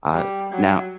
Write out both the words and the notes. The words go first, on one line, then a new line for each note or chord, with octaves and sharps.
Uh, now
G3
F#3